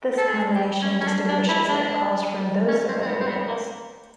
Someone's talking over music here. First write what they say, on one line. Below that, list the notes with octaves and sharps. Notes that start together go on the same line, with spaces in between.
This combination distinguishes their calls from those of other whales.
A4
G#4
G4
C#4
C#4
D4
D4
E4
D4
C#4
C4
C4
B3
C4
B3
A#3